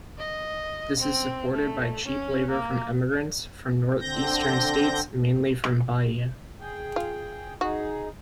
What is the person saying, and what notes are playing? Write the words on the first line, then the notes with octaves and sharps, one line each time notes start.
This is supported by cheap labor from emigrants from northeastern states, mainly from Bahia.
D#5
C4
A3
C#4
A#3
D3 C4 G6 A#6
G#4 G5
F4
D#4 F#4 G#4